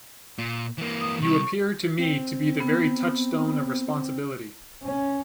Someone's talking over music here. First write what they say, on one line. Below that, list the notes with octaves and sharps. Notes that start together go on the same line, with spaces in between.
You appear to me to be the very touchstone of responsibility.
A#2
E3 A#3
D#6
C3 G3 C#6
C4
B3
C#4